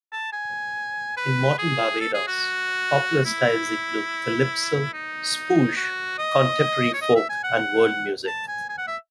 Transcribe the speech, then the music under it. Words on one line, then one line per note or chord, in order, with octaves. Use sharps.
In modern Barbados, popular styles include calypso, spouge, contemporary folk and world music.
A5
G#5
B4
G#4
A4
G#4
F#4
E4
D#4
F#4
D#5
C#5
D#5
E5
G#5
F#5
A5
G#5
G#5
F#5
E5